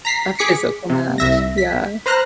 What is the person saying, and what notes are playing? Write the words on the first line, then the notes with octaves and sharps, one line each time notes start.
a physical match, yeah.
A#5 B6 C7
G#4 D6 B6 C#7
C3
C2 E5 A#6
B6
B4 C5 A#5 F6 F#6 A#6